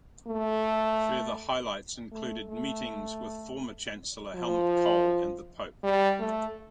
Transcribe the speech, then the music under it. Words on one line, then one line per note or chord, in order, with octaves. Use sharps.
Further highlights included meetings with former Chancellor Helmut Kohl and the pope.
A3
A3
A3
F3
G3
A3